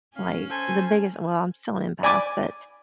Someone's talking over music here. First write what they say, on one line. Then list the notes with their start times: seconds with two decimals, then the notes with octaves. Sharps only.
like, the biggest well, I'm still an empath, but
0.16 C#4 F5
0.50 A4 C5 G#5 A5
2.03 D5 G#5 B5 D6